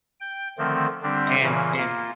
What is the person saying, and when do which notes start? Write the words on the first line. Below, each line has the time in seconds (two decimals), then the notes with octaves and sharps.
and and
0.21 G5
0.58 D3 D#3 F3 A3 C4
1.03 D3 G3 C4 D4
1.41 A#2 C#3 E3
1.77 A#3 F4